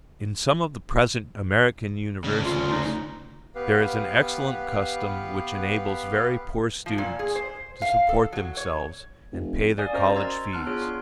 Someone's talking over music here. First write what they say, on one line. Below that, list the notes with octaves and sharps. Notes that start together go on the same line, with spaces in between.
In some of the present American universities there is an excellent custom which enables very poor students to support themselves and pay their college fees.
D2 C#3
F4
D#4
B3 G4 B4 F5
F3
A#2
G#4
C5
F5
A4
F#3
C#5
F1
D5 F5 G#5 D#6
C#4 F#4 A#4 C5 D#5 A#5
A#5 C6 E6 G#6 A6
B3 A5 C6 F6 F#6
D4 F4 G#4 C#5 D7
C6